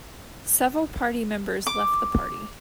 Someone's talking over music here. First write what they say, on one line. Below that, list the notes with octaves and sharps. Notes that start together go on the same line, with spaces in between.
Several party members left the party.
D6